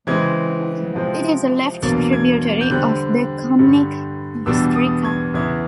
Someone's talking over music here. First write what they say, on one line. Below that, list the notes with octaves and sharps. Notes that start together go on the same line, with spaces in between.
It is a left tributary of the Kamnik Bistrica.
C#3 E3 G#3 C4 G#6
C3 F3 G#3 C4
E2 B2 F#3 A#3 D4 A6
G#6
G6
D3 G3 C4 F#6
G2 D3 G3
E2 B2 G3 B3 D4 E6
D#6
G#6
E2 C#3 E3 G#6